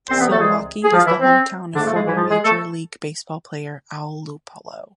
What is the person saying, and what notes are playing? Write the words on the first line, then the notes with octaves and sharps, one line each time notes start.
Zilwaukee is the hometown of former major league baseball player Al Luplow.
C2 C3 E3 C4 C5
B3 B4
A3 A4
G#3 G#4
G#4
F3 F4
E3 E4
C4
G#2 D3 F3 A3 D4
A3 A4
G#3 G#4
E3 E4
F3 F4
G#3 G#4
A3 A4